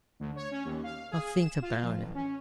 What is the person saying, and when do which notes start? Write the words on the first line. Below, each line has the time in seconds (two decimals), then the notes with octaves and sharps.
"I'll think about it."
0.20 D2
0.36 C#5
0.51 C#4
0.65 D#2
0.84 F5
1.11 G#4
1.35 E7
1.62 F4
1.83 A#1
1.99 A1
2.14 C#4